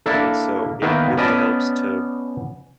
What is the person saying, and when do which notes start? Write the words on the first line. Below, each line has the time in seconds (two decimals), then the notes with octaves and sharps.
and so it really helps to
0.06 A#3 D4 E4 A4
0.82 D#3 A#3 B3 B4 E5 G5
1.17 B3 C#4 D5 D#5 A5